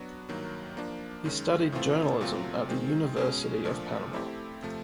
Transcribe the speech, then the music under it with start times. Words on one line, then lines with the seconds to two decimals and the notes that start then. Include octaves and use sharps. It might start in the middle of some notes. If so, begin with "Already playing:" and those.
He studied journalism at the University of Panama.
Already playing: F#3 B3 D4 F#4
0.29 G2 D#3 F#3 A#3
0.77 F3 A#3 D4
1.25 F#2 D#3 G#3 C#4
1.72 A2 E3 A3 C4 F4
2.21 A#2 F#3 A3 C4 F4
2.69 D#3 G#3 C4
3.16 B2 G#3 C#4
3.64 A#2 F3 A3 D4
4.13 A3 C4 E4 G4
4.62 C3 F3 A3